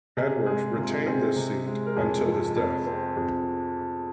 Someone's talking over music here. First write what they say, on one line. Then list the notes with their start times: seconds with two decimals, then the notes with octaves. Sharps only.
Edwards retained this seat until his death.
0.17 C3 G#4
0.46 G#3 G#4
0.76 C3 F4
1.06 C4 G#4
1.36 C3
1.67 G#3
1.86 A#4
1.96 F2 G#4
2.26 F3
2.56 F2
2.87 C4
3.17 F2